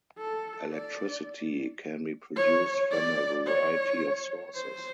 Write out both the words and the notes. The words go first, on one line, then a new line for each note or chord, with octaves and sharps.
Electricity can be produced from a variety of sources.
A4
D5
C#5
D5
C#5
C5